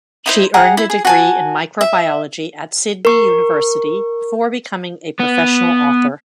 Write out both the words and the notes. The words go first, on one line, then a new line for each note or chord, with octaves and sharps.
She earned a degree in microbiology at Sydney University before becoming a professional author.
D#4 E4 C5
G#4 F#5 G5 A#5
E4
G#4
F#4 G#5 A5
E5
A#4 C#6
B3